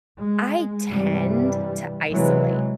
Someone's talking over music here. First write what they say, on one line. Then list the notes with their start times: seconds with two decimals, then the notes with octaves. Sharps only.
I tend to isolate
0.18 G#3
0.90 G2 C3 E3 G3
2.12 C3 E3 F#3 G#3